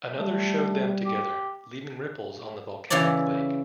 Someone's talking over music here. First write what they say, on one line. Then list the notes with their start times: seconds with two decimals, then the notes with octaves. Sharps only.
Another showed them together, leaving ripples on the volcanic lake.
0.19 G3 A3
1.05 G4
2.90 C#3 E3 E4 C#5 D5